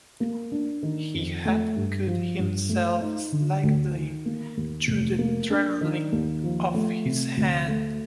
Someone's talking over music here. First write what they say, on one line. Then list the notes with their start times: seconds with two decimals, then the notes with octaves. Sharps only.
He had cut himself slightly through the trembling of his hand.
0.20 A#3
0.52 D4
0.83 D#3
1.14 F2
1.45 A3
1.76 G2
2.07 F3
2.39 G2
2.69 A3
3.01 D#4
3.32 D3
3.63 D2
3.94 D#3
4.25 A#3
4.57 D#2
4.88 F1
5.19 A#3
5.50 D4
5.81 D#3
6.12 D#2
6.44 F3
6.74 A3
7.05 C3
7.37 D2
7.68 A3